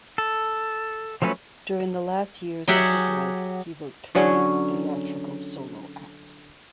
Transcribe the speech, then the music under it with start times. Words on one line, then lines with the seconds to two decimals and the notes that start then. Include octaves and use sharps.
During the last years of his life he wrote three theatrical solo acts.
0.18 A4
1.22 F3 F#3 A3 C#4 B4
2.68 F#3 G4 G#4 E5 F#5
4.15 D3 F#3 C#4 G#4